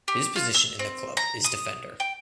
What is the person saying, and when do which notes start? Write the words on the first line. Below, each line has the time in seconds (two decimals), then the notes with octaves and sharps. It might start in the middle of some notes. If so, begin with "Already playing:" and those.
His position in the club is defender.
0.08 G4
0.36 F4
0.54 E6
0.79 C4
1.17 A#5
1.44 D#6
2.00 G5